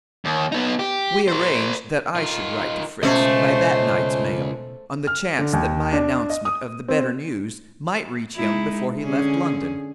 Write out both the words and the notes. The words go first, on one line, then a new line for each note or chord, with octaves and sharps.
We arranged that I should write to Fritz by that night's mail, on the chance that my announcement of the better news might reach him before he left London.
D#2
B3 D#4
G4
A#4 C5
D#3 F4
C#2 B2 A3 C#4 C5 D#5
F6
D3
D#2
D4
D#5
D#6
C4
G#3 D#4 E4
D3 C#4 G#4